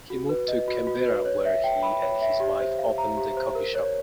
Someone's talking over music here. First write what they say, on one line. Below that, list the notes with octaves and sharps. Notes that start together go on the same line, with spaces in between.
He moved to Canberra where he and his wife opened a coffee shop.
F#4
B4
D#5
F#4
F#4
B4
C#5
E5
G5
B5
C#5
E5
G4
C5
F5
A#5
G4
C5
A#4
C#5